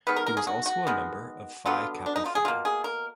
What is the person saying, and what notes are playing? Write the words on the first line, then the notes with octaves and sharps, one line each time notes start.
He was also a member of Phi Kappa Phi.
D#3 G#3 B3 B4
A#4
A#4
G#4
F#4
F#4
D#3 G#3 B3
D3 F#3 B3 F4
D4
D#4
F4
G#4
B2 A#3 F4
G#4
A#4